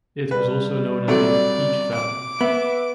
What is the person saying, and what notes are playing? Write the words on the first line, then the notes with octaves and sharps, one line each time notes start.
It was also known as the "Peach Valley".
G3 B4
C3 F#3 A3 D5
D6
B3 E5